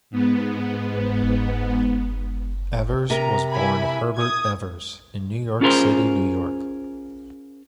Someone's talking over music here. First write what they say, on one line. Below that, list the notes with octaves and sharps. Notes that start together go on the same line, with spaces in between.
Evers was born Herbert Evers in New York City, New York.
G#2 B3
C3 A#4 A#5
E4 G#5 B5
D#6 G#6
C#4 F4 G#4 A#4 C5